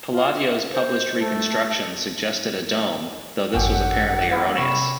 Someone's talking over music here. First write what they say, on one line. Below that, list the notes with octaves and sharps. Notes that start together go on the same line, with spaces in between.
Palladio's published reconstruction suggested a dome, though this was apparently erroneous.
F4
E5
C5
A3
D#5
G#1 F#2 C#4 G4 A4 F#5
A#3 E4
C3 B5 C#6 E7